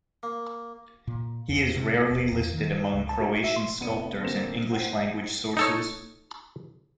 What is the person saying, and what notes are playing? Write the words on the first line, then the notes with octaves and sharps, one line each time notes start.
He is rarely listed among Croatian sculptors in English-language sources.
A#3
A#2
E2
C3
A#3
D#1
E2
D#3
C#2
A5
F#4
E5
C6
F1 B3 D4 C#7 D#7
D3 A#3 C4 C5 A#6 E7
C5 F#5 G5 C7
D#4 A4 C#5